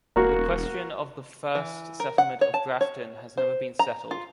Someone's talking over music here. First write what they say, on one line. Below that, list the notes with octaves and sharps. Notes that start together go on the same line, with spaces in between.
The question of the first settlement of Grafton has never been settled.
E1 A#3 F#4
E3
A#4
F#5
C#5
A5
C#5
C5
A#5
F4